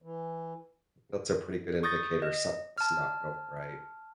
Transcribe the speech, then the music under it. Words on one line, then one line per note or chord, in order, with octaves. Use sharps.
that's a pretty good indicator something's not going right.
E3
C#6 D#6 G6 A6 A#6
D#5
A5 F6